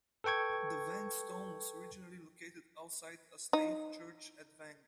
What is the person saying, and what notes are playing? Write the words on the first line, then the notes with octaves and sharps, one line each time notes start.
The Vang stone was originally located outside a stave church at Vang.
A4 B4 G5 C#6 G#6
D#4